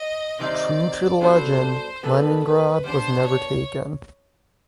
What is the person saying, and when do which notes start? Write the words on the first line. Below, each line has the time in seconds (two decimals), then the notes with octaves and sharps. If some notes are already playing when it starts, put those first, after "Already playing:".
True to the legend, Leningrad was never taken.
Already playing: D#5
0.39 C3 D#3 G3 C4 D#4 D5
1.21 G3 B3 D4 F#4 A4 C5
2.03 G3 B3 D4 F#4 A4 B4
2.43 B4
2.84 G3 B3 D4 C5
3.25 C#5